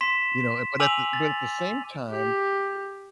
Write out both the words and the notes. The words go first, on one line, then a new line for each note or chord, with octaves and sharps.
You know? But at the but at the same time,
C6 B6 E7
G#5 D6 E6 D#7 F7 F#7
A6
G4